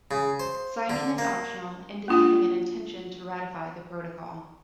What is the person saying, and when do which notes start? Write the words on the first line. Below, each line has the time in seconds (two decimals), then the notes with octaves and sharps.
Signing is optional, indicating an intention to ratify the Protocol.
0.11 C#3
0.40 C5
0.90 D3
1.18 A#3
2.08 A#3 D4 F4 F#5